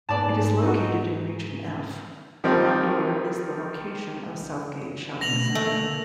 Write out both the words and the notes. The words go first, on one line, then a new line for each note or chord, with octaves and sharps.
It is located in Region F. Mondeor is the location of Southgate Shopping Centre.
G#2 B3 D5 A5
D#4 F#4
D#3 F3 G3 A#3 C4 D#4
B2 A3 A#6 F7 F#7
D3 A3 A#3